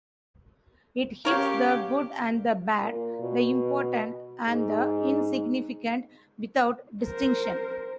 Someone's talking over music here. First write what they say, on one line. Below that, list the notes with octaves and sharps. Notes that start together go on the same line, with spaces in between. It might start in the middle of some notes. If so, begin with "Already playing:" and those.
It hits the good and the bad, the important and the insignificant, without distinction.
C#4 G4 A#4 C#5 F5
A#2
B2
G#2
A#4 C5